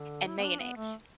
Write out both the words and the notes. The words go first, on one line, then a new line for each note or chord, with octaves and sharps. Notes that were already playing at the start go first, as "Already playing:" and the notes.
and mayonnaise.
Already playing: D3
E4
B3
D4
B3
A3